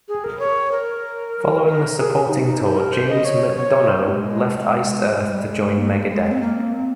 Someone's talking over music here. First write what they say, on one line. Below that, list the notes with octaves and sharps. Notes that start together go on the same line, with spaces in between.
Following the supporting tour, James MacDonough left Iced Earth to join Megadeth.
G#4
A#4
C#5
A#4
A#4
G#4
G4
D#4
D#4
G4
A#4
C5
D#5
C#5
C#5
C5
G4
G#3
G#3
G#3
G3
G#3
A#3
G#3
G#3
C4
A#3
C4